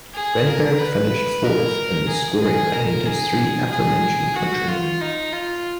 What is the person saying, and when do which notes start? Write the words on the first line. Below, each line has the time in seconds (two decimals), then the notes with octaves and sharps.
Renberg finished fourth in the scoring behind his three aforementioned countrymen.
0.14 G#4
0.47 A#4
0.79 B4
1.44 A#4
2.08 G#4
2.41 G#4
2.73 A#4
3.05 G#4
3.70 G#4
4.35 F#4
4.68 F4
5.01 D#4
5.33 F4